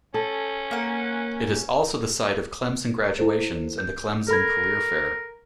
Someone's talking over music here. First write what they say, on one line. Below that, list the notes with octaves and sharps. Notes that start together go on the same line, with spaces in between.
It is also the site of Clemson graduations and the Clemson Career Fair.
C#4 A4
A#3 F#5
E4 A4 C5
G6
A4 A#4 B5 G#6